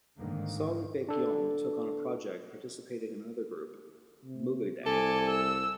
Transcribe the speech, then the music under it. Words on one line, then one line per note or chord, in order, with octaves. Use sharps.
Song Baekkyoung took on a project participating in another group, MoogaDang.
G#2 D3 D#3 A#3
D4 A4
C3
C2 A4 G#5 D6
E6